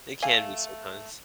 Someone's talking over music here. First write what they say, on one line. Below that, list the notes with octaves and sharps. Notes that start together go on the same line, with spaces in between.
It can be sometimes.
A3 F5 G#5